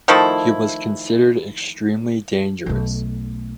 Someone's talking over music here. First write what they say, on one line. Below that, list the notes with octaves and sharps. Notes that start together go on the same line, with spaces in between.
He was considered extremely dangerous.
D#3 F3 A3 E4
B1 A3